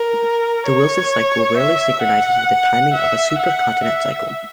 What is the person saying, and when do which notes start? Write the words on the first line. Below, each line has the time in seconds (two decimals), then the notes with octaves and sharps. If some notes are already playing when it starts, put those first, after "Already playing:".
The Wilson cycle rarely synchronizes with the timing of a supercontinent cycle.
Already playing: A#4
0.67 C#5
1.57 E5
2.02 F#5
2.93 E5
3.39 F#5
3.83 E5